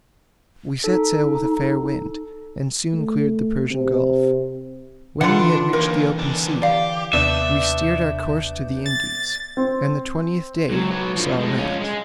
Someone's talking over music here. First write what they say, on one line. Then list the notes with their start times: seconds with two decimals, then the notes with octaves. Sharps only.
We set sail with a fair wind, and soon cleared the Persian gulf; when we had reached the open sea, we steered our course to the Indies; and the twentieth day saw land.
0.84 D#4 A4
2.94 A3
3.71 C3
5.21 D3 E3 D4 F4 F#5 C#7
5.73 D#2 A#4
6.19 E2 D4
6.62 G4 D5 F5
7.13 D#2 C3 B3 D4 D5 E5 G6
8.86 A6
9.57 C4
10.69 C#2 F#3
10.91 F#3 B4
11.16 D3 F3
11.39 A2 G#3
11.58 C#4 F4
11.81 G#3 G#4